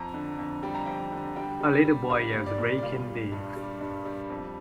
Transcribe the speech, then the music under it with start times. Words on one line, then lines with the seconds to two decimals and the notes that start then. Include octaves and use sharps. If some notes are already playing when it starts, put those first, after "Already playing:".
A little boy is raking leaves.
Already playing: F2 A#5
0.14 D3
0.39 F2
0.63 G3 G5
0.75 A#5
0.86 F2 G5
1.12 D3
1.36 G3 G5
1.61 G3
1.85 G3
2.10 G3 F5
2.34 A#2
2.46 D5
2.58 A#2
2.78 D5
2.83 G3 F5
3.08 G3
3.32 G2
3.56 G3
3.81 G2
4.05 G3
4.30 F2